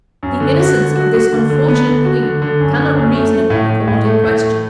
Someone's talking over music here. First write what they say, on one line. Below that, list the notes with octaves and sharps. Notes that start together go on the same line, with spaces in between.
The innocence of this unfortunate queen cannot reasonably be called in question.
F#2
D3
F#4
D3
F#4
F#4
D3
D3
B3
D3
F#4
D3
D3
F#2
D3
F#2
A3
A3
A2
A2
A2
A3
A2
A3